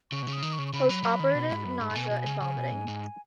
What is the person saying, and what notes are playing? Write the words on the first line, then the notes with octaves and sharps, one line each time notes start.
Postoperative nausea and vomiting.
C#3 C#6
B2
C#3 D#6
D#3
C#6
C#3
C#6
C#3 B5
F#3
F#3
D#3
B2
G#2
F#2
G#2
G#2
B2 G#5
B2
C#3
C#3
B2
G#2
G#2